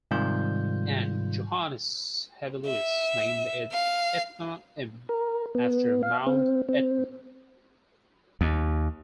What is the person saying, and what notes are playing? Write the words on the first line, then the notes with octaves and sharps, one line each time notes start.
And Johannes Hevelius named it 'Etna M.' after Mount Etna.
G#2 C3 D#3 G3 F4 G6
E5
F5
A#4
B3
F5
C4
C4
D#2